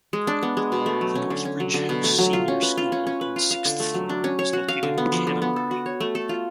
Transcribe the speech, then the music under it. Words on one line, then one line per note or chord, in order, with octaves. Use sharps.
The North Bridge House Senior School and Sixth Form is located in Canonbury.
G#3
D4
B3
G#3
B2
A3
F#3
C#4
D3
C#4
F#3
D3
B2
A3
F#3
F4
C#4
B4
F4
C#4
C#4
B4
F4
F5
D3
A3
F#3
D4
C#4
C#5
F#4
F5
D3
B3
F3
D3
B3
A4
F#4
C#5
A3
A4
F4